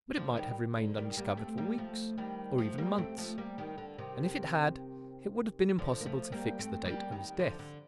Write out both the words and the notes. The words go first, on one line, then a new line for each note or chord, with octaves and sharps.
But it might have remained undiscovered for weeks, or even months; and if it had, it would have been impossible to fix the date of his death.
D3 F3
D#3 G3
D3
D#3 G3
G3 A#3
A3 C4
G3 A#3
F3 A3
D#3 G3
F3 A3
G3 A#3
A3 C4
F3 A3
G3 A#3
D#3 G3
D3
C3 D#3
D3 F3
A#3
F3 A3
G3 A#3
A3 C4
G3 A#3
D#3 G3
D3 F3
D3